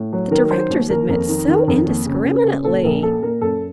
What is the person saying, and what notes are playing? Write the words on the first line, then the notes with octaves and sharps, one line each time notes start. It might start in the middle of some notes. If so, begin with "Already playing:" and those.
The directors admit so indiscriminately.
Already playing: A2
F#3
D#3 A#4
F#3 C5
D#2
D#2 A#4
F2 A#4
D#3
D#3
F2
D#2
C#3
C#3
C#3
A#2 A4
A#1 A#4
A#2 A4
A#2 A#4
F#2 A4